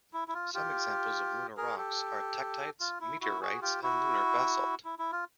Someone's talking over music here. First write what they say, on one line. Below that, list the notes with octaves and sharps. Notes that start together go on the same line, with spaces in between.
Some examples of lunar rocks are tektites, meteorites and lunar basalt.
E4
E4
F4
F4 G4
G#4 A#4
G4 A4
F4
E4
E4 F#4
F#4 G#4
F4 G4
E4 F#4
E4
E4
F4